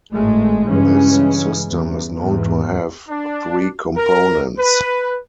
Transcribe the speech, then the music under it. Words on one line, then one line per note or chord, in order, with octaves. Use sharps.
This system is known to have three components.
G#1 A2 G#3 A3
G2 C#3 E3 G#3 C#4
E2
E2 G#2
D4
A#4
B4